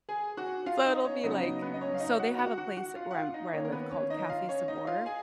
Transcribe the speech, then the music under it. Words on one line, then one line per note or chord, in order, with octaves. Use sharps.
So it'll be, like so they have a place where I'm where I live called Cafe Sabor,
G#4 G#5
F#4 F#5
F4 F5
D#4 D#5
C#4 C#5
C#3 F#3 B3 D#4 D#5
D#4 D#5
B3 B4
D#5
C#4 C#5
F5
D#4 D#5
F#4 F#5
F#4 F#5
F#4 F#5
F#4 F#5
F4 F5
F#5
F4 F5
D#4 D#5
D#3 A#3 C#4 C#5
A#4
B3 B4
C#4 C#5
D#4 D#5
F4 F5
C#4 C#5
D#4 D#5
F4 F5
G#4 G#5